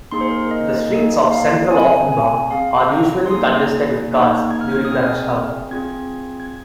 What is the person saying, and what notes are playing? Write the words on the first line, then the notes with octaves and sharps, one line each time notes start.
The streets of central Offenbach are usually congested with cars during the rush hour.
A#3 D#4 G#4 C6
C5
A#4
C5
D#5
A#3 D#4 G#4
F5
C4 G#4 G#5
G#5
C4 G#4 F5
A#5
C6
A#3 D#4 G#4 D#6
A#3 D#4 G#4
G#6
F6
G#6
D#6
C4 G#4 F6
C4 F4 G#4 G#6
G#6